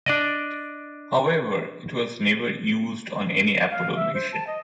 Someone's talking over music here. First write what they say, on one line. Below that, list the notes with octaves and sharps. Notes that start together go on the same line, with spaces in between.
However, it was never used on any Apollo mission.
D4 D5 D#5
F5
E5
C5
A5
D#5